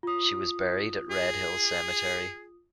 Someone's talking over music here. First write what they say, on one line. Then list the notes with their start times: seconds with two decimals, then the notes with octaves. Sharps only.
She was buried at Redhill Cemetery.
0.03 F4 D#6
1.11 G#4